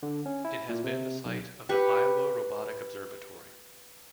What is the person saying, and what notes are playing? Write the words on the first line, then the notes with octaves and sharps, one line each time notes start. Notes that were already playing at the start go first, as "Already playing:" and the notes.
It has been the site of the Iowa Robotic Observatory.
D3
C#4
E4
A#2
C3
B1
G4 B4 C#6